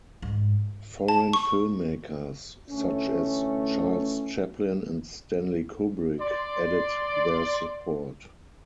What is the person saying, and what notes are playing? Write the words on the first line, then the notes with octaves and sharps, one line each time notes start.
Foreign filmmakers such as Charles Chaplin and Stanley Kubrick added their support.
G#2
A5
C#6
D2 E3 A3 C#4
D5 C6